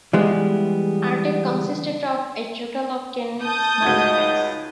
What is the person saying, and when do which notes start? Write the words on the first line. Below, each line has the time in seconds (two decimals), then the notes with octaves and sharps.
Artek consisted of a total of ten smaller camps.
0.13 E3 G3 G#3 B3
3.42 A5 D#6 G6
3.82 C#2 D#4 F#4 G#6